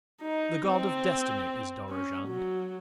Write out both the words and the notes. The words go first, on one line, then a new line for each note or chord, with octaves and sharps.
The god of Destiny is Dorozhand.
D#4
C4
C#4
F#3